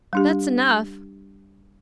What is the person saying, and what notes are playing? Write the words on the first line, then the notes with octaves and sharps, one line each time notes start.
"That's enough."
G3 D4 G4